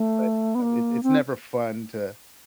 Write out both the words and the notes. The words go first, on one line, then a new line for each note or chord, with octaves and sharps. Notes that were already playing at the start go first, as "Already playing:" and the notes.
But, no, it's it's never fun to
Already playing: A3
B3
A#3
C4